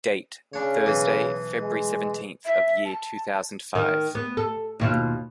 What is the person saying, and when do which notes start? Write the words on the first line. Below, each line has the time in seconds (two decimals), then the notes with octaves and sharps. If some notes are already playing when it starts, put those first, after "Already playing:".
Date: Thursday, February seventeenth of year two thousand five.
0.53 C#3 D4 C#5
0.86 B1 E3 G#4
1.60 G#3
2.45 E5
2.85 A5
3.75 D#3
4.15 B3
4.37 A4
4.80 D#2 B2 F4